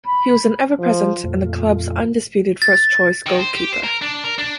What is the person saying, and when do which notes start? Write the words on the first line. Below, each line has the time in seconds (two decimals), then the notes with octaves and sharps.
He was an ever present and the club's undisputed first choice goalkeeper.
0.04 B5
0.79 F3
1.24 F2 A#2 A3 F4
2.62 A6
3.26 D#3
3.39 C5
3.55 G4
3.73 C5
3.84 A#4
4.02 D4
4.24 A#4
4.38 D4